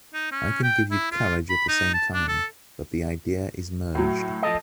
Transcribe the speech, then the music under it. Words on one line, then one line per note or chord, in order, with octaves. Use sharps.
I can give you courage at the same time, but the idea is merged.
D#4
C#4
G5
E4
F4
B5
D#4
A5
D4
A4
A2 F#3
F3 A4 D#5